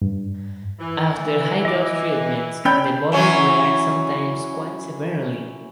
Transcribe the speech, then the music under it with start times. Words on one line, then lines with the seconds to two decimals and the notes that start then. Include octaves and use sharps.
After high-dose treatments, the body reacts, sometimes quite severely.
0.02 G2
0.80 E3
1.65 D#5 D6
2.65 C#4 C#5 D5 G5 B5 G6
3.12 E3 F#3 C#4